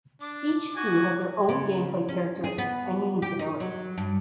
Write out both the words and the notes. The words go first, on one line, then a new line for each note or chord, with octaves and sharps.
Each crew has their own gameplay characteristics and unique abilities.
D4 D6
F#4 G#5
C#3
C#4
G#4
B3
G4
D#4
F#3
G2